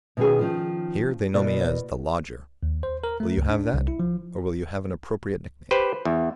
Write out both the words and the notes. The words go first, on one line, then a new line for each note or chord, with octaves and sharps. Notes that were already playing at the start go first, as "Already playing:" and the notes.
Here, they know me as The Lodger. Will you have that? or will you have an appropriate nick-name?
B2 D#3 C#4 F#4 G#4
D#3 F3 C#4 F4
E2 B2 A#3 D5
D#2
C5
A#4
A3
C#2
D4
C2
E4
F3
G4 B4 C5
E2